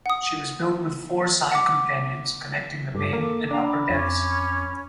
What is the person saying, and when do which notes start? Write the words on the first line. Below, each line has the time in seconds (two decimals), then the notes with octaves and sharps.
She was built with four side companions connecting the main and upper decks.
0.06 F#5 D#6
1.52 F#5 D6
2.95 G2 A4 D6
3.13 A#3
3.51 D4 F5 G5 A#5
3.64 B5 D6
3.90 F2 C#4